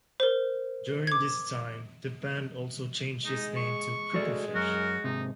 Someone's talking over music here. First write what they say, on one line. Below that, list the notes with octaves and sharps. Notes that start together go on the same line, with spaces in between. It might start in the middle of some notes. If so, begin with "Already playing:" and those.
During this time the band also changed its name to "Cripplefish".
A#4 C5
D6 G#6
G#3 D#4
C#6
G#3 F#4 A4 D5
F#2 F#4 A#4
G#2 C3 D#4